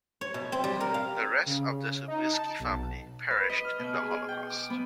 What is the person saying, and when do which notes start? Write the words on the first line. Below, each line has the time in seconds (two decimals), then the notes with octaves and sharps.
The rest of the Soberski family perished in the Holocaust.
0.21 C#5
0.34 B2
0.52 C4
0.64 G3
0.81 A#4
0.94 F5
1.46 C#3
2.07 D#4
2.33 A5
2.59 B1
3.31 B4
3.50 D#5
3.65 F6
3.79 B2
3.94 G#4
4.11 G#4
4.29 G5
4.50 D6
4.70 B3